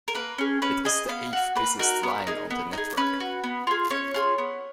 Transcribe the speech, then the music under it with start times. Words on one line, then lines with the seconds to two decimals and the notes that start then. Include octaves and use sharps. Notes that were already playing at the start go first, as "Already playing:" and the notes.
It is the eighth-busiest line on the network.
0.08 A#4
0.15 A#3 B4
0.38 C#4 G#4
0.62 C#4 B4
0.85 G#4 D#5
1.09 B3 F5
1.33 F#4
1.56 A#3 B4
1.79 D#4 F#4 A#4
2.03 B3
2.27 D#4 G#4
2.50 B3
2.73 D#4 G#4
2.97 C#4 B4
3.20 F#4
3.44 B3
3.67 F4 G#4
3.91 C#4 C#5
4.14 F4 G#4
4.38 B3